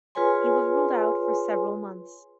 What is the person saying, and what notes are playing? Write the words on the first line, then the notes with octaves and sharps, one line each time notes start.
He was ruled out for several months.
F4 G#4 B4 C#5 G#5 C6